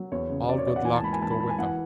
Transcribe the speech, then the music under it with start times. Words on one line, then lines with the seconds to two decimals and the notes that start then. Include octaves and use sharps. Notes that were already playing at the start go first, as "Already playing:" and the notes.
All good luck go with them.
Already playing: F#3
0.12 E2 C#5
0.30 C#3
0.48 C#3 D5
0.58 C#5
0.67 E2 D5
0.76 F#5
0.84 E3 G#5
0.94 A5
1.03 G#2 B5
1.13 G#5
1.22 E3 A5
1.30 B5
1.40 E3 A5
1.49 G#5
1.58 E3 F#5